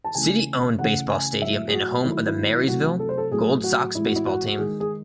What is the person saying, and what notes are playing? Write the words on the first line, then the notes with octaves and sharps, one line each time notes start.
City owned baseball stadium and home of the Marysville Gold Sox Baseball team.
A5
C#3 E3 A3 G#5
C#3 E3 A3 F#5
G#5
A2 F#3 A3 E5
G#4
F#4
D#3 F#3 A3 E4
E4
E4
C3 F#3 A3 F#4
A4
C5
A4
A2 F#3 A3 G#4
F#4
A2 E3 G#3 E4
F#4
E4
F#4
F#4
D#3 G#3 G#4
G#4